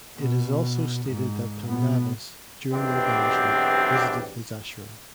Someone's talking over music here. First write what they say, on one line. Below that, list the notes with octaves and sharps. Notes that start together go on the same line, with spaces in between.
It is also stated that Pandavas, during their banishment, visited his Ashram.
B2
G#2
B2 B3
B1 E2 B2 C4 D4 G4